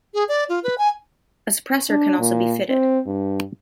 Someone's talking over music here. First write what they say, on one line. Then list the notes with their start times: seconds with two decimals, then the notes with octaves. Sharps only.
A suppressor can also be fitted.
0.14 G#4
0.28 D5
0.49 F4
0.63 B4
0.78 G#5
1.89 D4
2.19 A#2
2.69 C4
3.06 G2